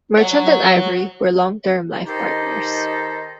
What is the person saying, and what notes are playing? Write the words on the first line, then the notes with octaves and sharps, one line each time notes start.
Merchant and Ivory were long-term life partners.
C#5 F#5
D#3 D#4 G4 A4 C5 D#5